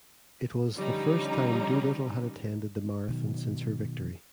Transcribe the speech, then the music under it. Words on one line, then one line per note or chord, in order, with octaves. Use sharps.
It was the first time Doolittle had attended the marathon since her victory.
D3 F3 G3 C#4 D#4
B2 D#3 F#3